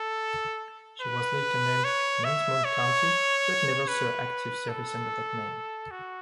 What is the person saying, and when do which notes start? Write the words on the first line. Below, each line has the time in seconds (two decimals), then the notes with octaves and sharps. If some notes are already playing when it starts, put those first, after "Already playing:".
She was later named "Nansemond County", but never saw active service under that name.
Already playing: A4
1.02 B4
1.84 C#5
2.24 E5
2.65 C#5
3.88 B4
4.68 A4
5.91 F#4